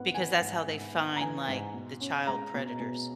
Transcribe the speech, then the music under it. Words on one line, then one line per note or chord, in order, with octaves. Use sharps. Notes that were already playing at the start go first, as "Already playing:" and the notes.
because that's how they find, like, the child predators.
Already playing: G#2 B3 F#5
E3 G#5
G#2
G#2
B3
A#5
E3 G#5
G#2
B2
C#4
G#3 A#5
B2
B2